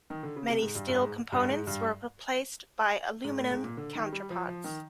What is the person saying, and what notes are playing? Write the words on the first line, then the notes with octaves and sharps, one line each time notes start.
Many steel components were replaced by aluminium counterparts.
D#3
D3
C#3
C3
G#2
G2
G2
G#2
G2
G#2
G2
G#2
A2
G#2
A#2
D3
D#3
G3
F3
F3
D#3